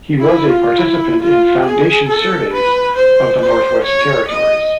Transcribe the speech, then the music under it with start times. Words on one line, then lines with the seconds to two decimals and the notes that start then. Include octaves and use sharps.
He was a participant in foundation surveys of the Northwest Territories.
0.20 E4
0.49 F4
0.78 E4
1.22 F4
1.66 G#4
2.09 A4
2.53 B4
2.96 C5
3.41 C5
3.84 C#5
4.28 D#5